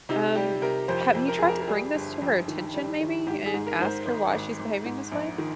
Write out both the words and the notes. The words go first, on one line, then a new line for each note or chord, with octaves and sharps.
Um, have you tried to bring this to her attention, maybe? And, ask her why she's behaving this way?
C3 D#4
G3 G4
C3 A#4
F2 C5
F2
A#4
F2 G#4
A#4
A#4
G3 G#4
G1
F2
D#3
G3
D#3
G#2 G4
G#4
G#2
A#4
G#2 C5
A#4
G#1 C5
G#1
G#1
G#2
A#1
D#3